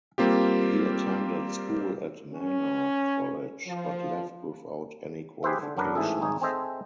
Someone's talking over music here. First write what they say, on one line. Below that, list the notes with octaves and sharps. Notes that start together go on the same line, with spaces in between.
He attended school at Mana College but left without any qualifications.
G3 A#3 C4 F4 G4
C#4
F3
G4 G#4 B4 C5 E5
D3
F#2 F#3 D4 A#4 B4
A1 G#2 E3 G#4 A4
G#1 D#4 G#4 C#5
C4 G#4 A4 C5 D#5 E5